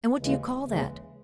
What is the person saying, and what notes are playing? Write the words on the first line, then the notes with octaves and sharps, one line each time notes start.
"And what do you call that?"
D#2 C#3 E3 G#3
D#2 C#3 E3 G#3